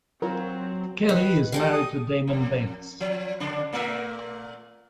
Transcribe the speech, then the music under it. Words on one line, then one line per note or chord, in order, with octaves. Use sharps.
Kelly is married to Damon Bayles.
F#3 C4 F4 A#4
D#3 B4
G3 G#3 A4 G5
D#6
F2
F3
C#3 D4
A#2 A3 E5